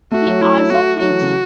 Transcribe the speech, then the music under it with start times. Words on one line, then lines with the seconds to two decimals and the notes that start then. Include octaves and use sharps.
He also preached.
0.11 A3 F#4
0.27 F#3
0.41 F#3 E4
0.70 A3 F#4
0.99 F#3 F#4
1.11 E3
1.22 C#3